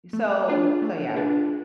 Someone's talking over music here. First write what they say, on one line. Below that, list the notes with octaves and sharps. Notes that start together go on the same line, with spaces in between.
so so, yeah.
A3
D4 F4 G#4 B4
A3
D4 F4 G#4 B4